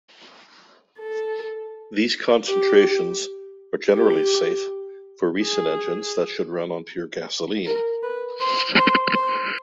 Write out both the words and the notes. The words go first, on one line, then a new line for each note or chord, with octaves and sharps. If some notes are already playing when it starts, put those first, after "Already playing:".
These concentrations are generally safe for recent engines that should run on pure gasoline.
A4
G4
G4
G#4
A#4
B4
C5
C5
C5